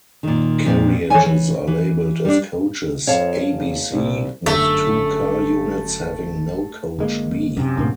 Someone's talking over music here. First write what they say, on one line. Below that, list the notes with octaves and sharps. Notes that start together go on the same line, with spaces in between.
Carriages are labelled as coaches A-B-C, with two-car units having no coach B.
A#2 D#3
F2 A#2
E3 A4 C5 C#5 G#5
E3
E3
G3 D4
F2 C#5 F5 A5
F#1
C2
G1 F#2 A3 E5
G1 G#3 A#3
F#2 C3
D2 A2 A#3